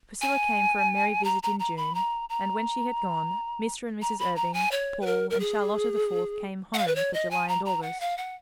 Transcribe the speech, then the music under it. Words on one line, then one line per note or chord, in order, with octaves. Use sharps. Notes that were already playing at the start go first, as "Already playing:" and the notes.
Priscilla came for a merry visit in June; and, when she had gone, Mr. and Mrs. Irving, Paul and Charlotta the Fourth came "home" for July and August.
G#5
A#5
A#5
A#5
B5
A#5
A#5
A#5
B5
A#5
G#5
C#5
B4
A#4
A#4
G#4
F#5
F5
B4
C#5
D#5
G#5
A#5
A#5
F#5
F5
F#5